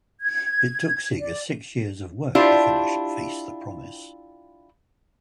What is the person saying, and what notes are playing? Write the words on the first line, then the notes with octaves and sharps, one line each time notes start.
It took Seger six years of work to finish "Face The Promise".
G#6
D5
D4 E4 F4 G4 C5